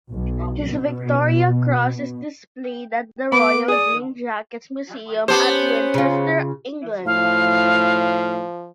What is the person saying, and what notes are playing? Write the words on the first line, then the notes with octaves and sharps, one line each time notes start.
His Victoria Cross is displayed at the Royal Green Jackets Museum at Winchester, England.
B1
B2
B3 B5 D6
G#4 D5 D#6
B3 C#4 G4 C5 A5 D6
C#3 F4
A2 F3 F5